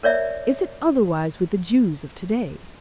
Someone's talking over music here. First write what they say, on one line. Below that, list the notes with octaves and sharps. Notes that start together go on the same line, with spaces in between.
Is it otherwise with the Jews of to-day?
A#4 C#5 D5 E5